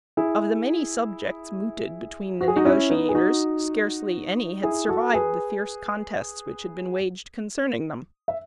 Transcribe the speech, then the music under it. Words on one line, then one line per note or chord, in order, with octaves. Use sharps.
Of the many subjects mooted between the negotiators scarcely any had survived the fierce contests which had been waged concerning them.
E4 G#4
F#4
G#4
D#4 F#4
C#4 E4
B3 D#4
G#4
D#4 F#4
E4 G#4
F#4 A4
G#4 B4
E5